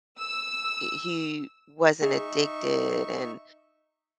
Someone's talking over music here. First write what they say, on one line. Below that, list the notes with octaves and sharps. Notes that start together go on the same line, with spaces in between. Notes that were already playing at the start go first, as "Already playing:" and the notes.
he wasn't addicted and
E6
D#4 G#4 E5 C#6